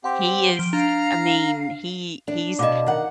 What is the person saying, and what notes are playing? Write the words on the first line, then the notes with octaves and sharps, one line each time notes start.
he is, I mean, he he's,
C4 G4 F#5 C6
F3 D7 G7
D4 F5 A#5 F6
D4
B2 D#5 F5 A5 D6
D#3 F#5